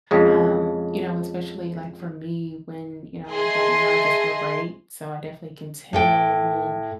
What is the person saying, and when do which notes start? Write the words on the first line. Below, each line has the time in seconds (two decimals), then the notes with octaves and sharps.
um, you know, especially, like, for me when, you know, like, right now, I just feel great, so I definitely can tell when,
0.11 F2 C#3 G#3
3.30 A3 G#4 D#5 C6
5.93 A2 A4 G5